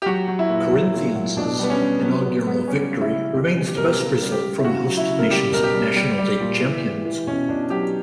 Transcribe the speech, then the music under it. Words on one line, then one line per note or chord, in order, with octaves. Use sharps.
Corinthians' inaugural victory remains the best result from a host nation's national league champions.
G4
F#3 F#4
F#3
E4
A#2
F#3
A#2
F#3
B2 D4
G3 B3
C#4
G3
F#3 B3
F#3
F#3 B3
G3 C#4
C#3
E4
C#3
B2 G4
G3
G4
B2 A#4
G4
C#3 A#4
G3
G4
G3
E4
C#3 F#4
F#3
E4
C#3
A#4
G3 G4
B2 A#4
G4
G3
G3
G3
A#2
E3
E3
E3
B2 C#4
B2 D4
F#3 G4